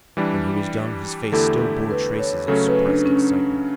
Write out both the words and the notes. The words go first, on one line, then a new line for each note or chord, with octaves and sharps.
When he was done his face still bore traces of suppressed excitement.
E3 G3 D4
E2 D3 A3 E4 G4 A4
B4
C#5
C#3 F#3 A3 C#4 A4
B4
D4
C#4